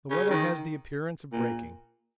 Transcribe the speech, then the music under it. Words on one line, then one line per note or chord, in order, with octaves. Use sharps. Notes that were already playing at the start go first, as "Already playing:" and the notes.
The weather has the appearance of breaking.
C#3
D#3
A#2